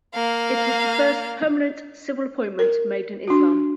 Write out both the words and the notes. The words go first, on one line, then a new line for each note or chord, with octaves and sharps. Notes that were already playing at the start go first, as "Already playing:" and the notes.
It was the first permanent civil appointment made in Islam.
A#3 F5
A#4
D4 F#4